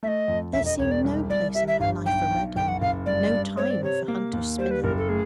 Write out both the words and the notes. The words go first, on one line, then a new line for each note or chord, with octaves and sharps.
There seemed no place in her life for Reddin, no time for Hunter's Spinney.
A3 E5
D#5
F2
E1 E5
D#5
E1 C#5
D5
C2
C2 D5
G3 E5
E5
G1 F5
B1 G5
B1
F#1 G5
F#5
F#1 F5
G2 D5
G2
C4 C#5
D5
C3 C#5
A#3
D#2
G3 C5
B4
F#1 A#4
A4
A3 G#4